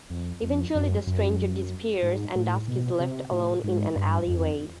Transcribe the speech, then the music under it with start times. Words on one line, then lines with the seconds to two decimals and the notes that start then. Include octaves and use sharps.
Eventually, the stranger disappears and Dusk is left alone in an alleyway.
0.10 F2
0.43 F2
0.75 F#2
1.07 F#2
2.03 G#2
2.35 A2
2.68 B2
3.00 C3
3.31 A2
3.64 G#2
3.96 G2
4.28 F2